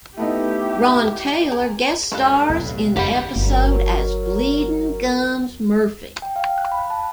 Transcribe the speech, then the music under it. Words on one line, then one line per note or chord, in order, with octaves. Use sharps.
Ron Taylor guest stars in the episode as Bleeding Gums Murphy.
A3 B3 D#4 E4 G4
G#4 A#4
G2 F4 A4 B4 F#6
B1 A2 C3
F#1 F#2 G#3 G4 F5 F#5 B5
G1 F#3 A#4
G5
F5
F#6
B5
A5